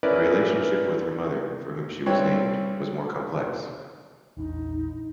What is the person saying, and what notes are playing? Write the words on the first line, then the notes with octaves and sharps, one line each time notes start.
Her relationship with her mother, for whom she was named, was more complex.
C#4 E4 A#4 B4 D5
G2 C4 E4 C#5
A#1 E2 D4 D#4